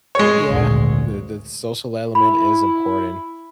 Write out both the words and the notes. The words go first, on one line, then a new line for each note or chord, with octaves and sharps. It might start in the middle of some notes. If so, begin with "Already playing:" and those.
yeah, the the social element is important.
G#3 C#5
G#1 D2 A#2
E4 B5